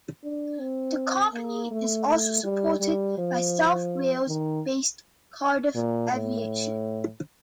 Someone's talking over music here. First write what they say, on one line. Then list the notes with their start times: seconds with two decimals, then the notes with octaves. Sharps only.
The company is also supported by South Wales-based Cardiff Aviation.
0.24 D4
0.60 C4
1.33 A#3
1.71 A3
2.07 A3
2.44 G3
2.80 G3
3.18 F3
4.28 D#3
5.75 A#2
6.12 A2